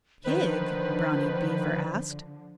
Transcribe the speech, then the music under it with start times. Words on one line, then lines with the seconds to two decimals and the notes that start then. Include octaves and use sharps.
"Pig?" Brownie Beaver asked.
0.24 D3 D#3 F3 B4 C5